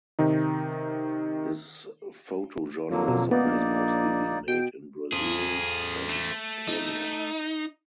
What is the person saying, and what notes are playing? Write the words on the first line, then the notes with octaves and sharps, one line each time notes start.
His photojournalism has mostly been made in Brazil and Kenya.
C3 D#3 D#4
F2 D3 F#3 A#3
B2
A#3 B3 D#4 D5
A#1
B2 G5 D7
G#4 A4 C5
A3
D#4